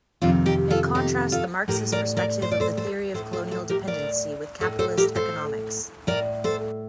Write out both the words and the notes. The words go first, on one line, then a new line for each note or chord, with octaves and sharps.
It contrasts the Marxist perspective of the Theory of Colonial Dependency with capitalist economics.
F2 C3 D#3 D4 F4
D#4 G4
F4 A4
D#4 G4
F4 A4
A2 G4 A#4
A#4 D5
A#4 D5
C5
D5
A4 C5
A4 C5
A2 A4 C5
A4 C5
A4 C5
G4 A#4
A#4 D5
A2 A4 C5
A4 C5
G4 A#4
A4 C5
A2 A#4 D5
A4 C5